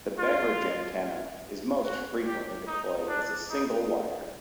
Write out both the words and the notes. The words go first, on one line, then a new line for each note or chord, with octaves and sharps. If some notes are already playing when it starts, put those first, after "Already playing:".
The Beverage antenna is most frequently deployed as a single wire.
F4
F#4
G4
D#4
D4
D#4